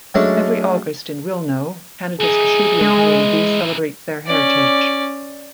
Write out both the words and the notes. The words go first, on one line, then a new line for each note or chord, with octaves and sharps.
Every August in Wilno, Canada's Kashubian community celebrates their heritage.
F#3 G#3 A3 C#4 D4
E3 D#4 G#4
G#3
C#4 D5